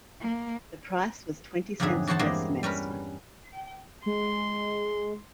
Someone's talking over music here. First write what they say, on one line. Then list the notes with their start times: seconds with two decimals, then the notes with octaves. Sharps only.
The price was twenty cents per semester.
0.20 A#3
1.80 F2 G#2 D3 F#3 G#4 E5
2.07 E2 F#4 C5 C#5 F#5 A5
2.19 G2 G#3 A#3 C4 G4 G#4
2.63 G3 C#4 A#4 B4
4.06 G#3 C6